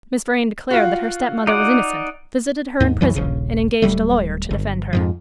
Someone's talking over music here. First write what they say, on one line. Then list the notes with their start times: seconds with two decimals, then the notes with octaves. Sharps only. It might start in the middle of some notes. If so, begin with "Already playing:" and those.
Miss Vrain declared that her stepmother was innocent, visited her in prison, and engaged a lawyer to defend her.
0.71 F4 F#4
1.47 D#4 D5 F#5
2.80 D#2 G#2
3.01 C2 F#2 E3 F#3
3.15 D#1 A#1 C#3
3.82 D1 D2 G3 A3
4.51 G1
4.93 F2 G#2 F3